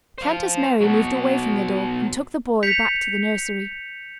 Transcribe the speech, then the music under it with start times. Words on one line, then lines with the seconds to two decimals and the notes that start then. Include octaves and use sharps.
Countess Mary moved away from the door and took the boy back to the nursery.
0.18 C5 F5
0.81 B2 F#3
2.63 G6 B6 C#7 F7